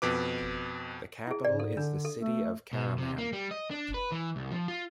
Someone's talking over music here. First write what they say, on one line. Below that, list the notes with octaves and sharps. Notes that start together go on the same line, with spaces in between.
The capital is the city of Karaman.
F2 B2 B4 D6
E4 G#4
G#2 D5
A4
D3 D4
A4
A3
B2
C3
A#3
G3
D#5
D4
B4
E3
C2
F3
F4